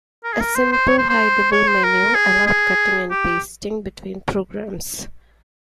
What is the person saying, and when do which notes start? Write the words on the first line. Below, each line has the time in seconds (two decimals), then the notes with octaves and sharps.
A simple hideable menu allowed cutting and pasting between programs.
0.24 A#4
0.33 G#4
0.41 A#4
0.56 C5
0.72 C5
0.88 C#5
0.98 C5
1.09 C5
1.52 C#5
1.67 C5
1.84 A#4
2.15 G#4
2.47 G#4
3.11 G4